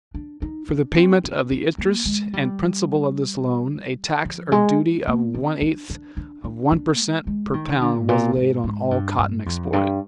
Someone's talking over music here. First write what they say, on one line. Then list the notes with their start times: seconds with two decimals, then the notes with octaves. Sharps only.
For the payment of the interest and principal of this loan a tax or duty of one eighth of one per cent. per pound was laid on all cotton exported.
0.14 D4
0.42 D#4
0.69 D4
0.96 C4
1.24 C4
1.51 C4
1.78 A#3
2.06 G#3
2.33 G3
4.25 F3
4.52 G#3
5.08 A#3
5.35 C4
5.62 D4
5.90 D4
6.17 D4
6.44 D4
6.72 D4
6.98 G#3
7.27 G#3
7.54 D#3
7.81 D3
8.00 G#2
8.09 A#2
8.36 G#2
8.64 G#2
8.91 G2
9.18 G2
9.46 F2
9.73 G2